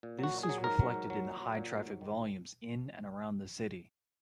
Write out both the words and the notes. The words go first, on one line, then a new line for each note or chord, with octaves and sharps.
This is reflected in the high traffic volumes in and around the city.
A#2
F#3 F#4
A#2
G#4
F#3
G#2 A#4
F#3
G#2
F#3
A#2
F#3
A#2
F#3
G#2
D#3